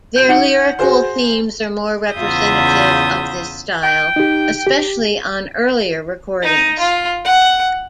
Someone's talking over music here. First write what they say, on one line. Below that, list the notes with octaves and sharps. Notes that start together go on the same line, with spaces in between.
Their lyrical themes are more representative of this style, especially on earlier recordings.
G6 D7
D#4 F#5 C#7
F#4 G#4 C5 C6
E2 C#3 F4 E5 D#6 G6
G5
D#4 G4
G4
D#4
F4
F#5